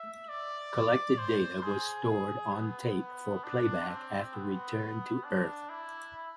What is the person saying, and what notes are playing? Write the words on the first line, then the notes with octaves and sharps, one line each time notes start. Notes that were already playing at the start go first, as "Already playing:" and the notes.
Collected data was stored on tape for playback after return to Earth.
Already playing: E5
D5
C5
G#4
B3
D4
C4
B3
D4
E4